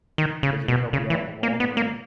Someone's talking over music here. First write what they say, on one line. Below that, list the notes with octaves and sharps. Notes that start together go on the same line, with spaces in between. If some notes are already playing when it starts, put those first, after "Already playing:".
'cause it'll help you out in the long run.
D#3
C#3
B2
C#3
E3
A#3
B3
A#3